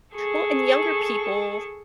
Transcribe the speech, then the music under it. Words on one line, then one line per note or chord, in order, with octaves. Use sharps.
Well, and younger people,
G#4 A4 C#6